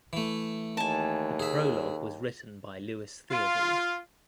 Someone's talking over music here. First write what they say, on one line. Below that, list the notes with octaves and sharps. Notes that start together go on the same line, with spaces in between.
The prologue was written by Lewis Theobald.
E3 A3
D#2 G#5 A5
G#4 E5
F4